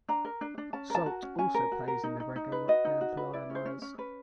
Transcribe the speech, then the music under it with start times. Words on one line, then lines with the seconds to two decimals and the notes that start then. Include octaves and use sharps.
Sult also plays in the reggae rock band Lionize.
0.09 D4 A#5
0.25 A#4
0.41 D4
0.58 D4
0.73 C#4 A5
0.90 A#4 A5
1.06 F#4
1.22 C#4
1.38 C#4 G#5
1.54 A#4
1.72 F#4
1.88 A#4
2.03 D#4
2.20 D#4
2.36 D#4
2.52 B4
2.68 F#4 D#5
2.85 D#4
3.01 F#4
3.17 B4
3.33 E4 D5
3.50 C#4
3.55 C5
3.66 C#4
3.82 C#4
3.98 C#4 B4